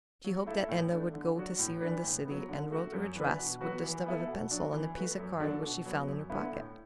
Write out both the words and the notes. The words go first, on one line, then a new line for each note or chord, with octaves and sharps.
She hoped that Edna would go to see her in the city, and wrote her address with the stub of a pencil on a piece of card which she found in her pocket.
F#3
A3 E4 A4
A2
A3 D4
D3
F#3 D4 F#4
A2
E3 D4 B4
A2
F#3 B3
D3
A3 F#4
F#2
E3 D4 B4
B2
F#3 B3 F#4 B4
E3
B3 E4 A4
B2
F#3 D4
E3
A3 F#4 B4
F#2
D3 F#3 D4 A4
B2
F#3 B3
F#2
D3 B3 E4
A2